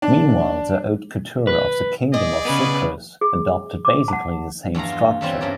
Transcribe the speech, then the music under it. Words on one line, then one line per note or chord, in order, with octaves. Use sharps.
Meanwhile, the "Haute Cour" of the Kingdom of Cyprus adopted basically the same structure.
D4
B4
G#4 D5 D#5
C#3 B3 C#4 B4
G#4
D6
F#5 A5
E2 G2 F5 A#5
E2 F4
E2 B2 E3 G3 C4 C#5
G2 C#3 A#4 D5